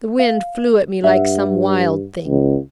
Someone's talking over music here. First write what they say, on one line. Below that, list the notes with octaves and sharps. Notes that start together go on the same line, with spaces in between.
The wind flew at me like some wild thing.
F5
G2 E5 F#5
C#2